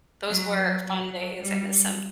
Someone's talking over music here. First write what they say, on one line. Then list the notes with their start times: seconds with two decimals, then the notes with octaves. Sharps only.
those were fun days. I miss 'em.
0.30 F#3
0.86 F#3
1.41 G3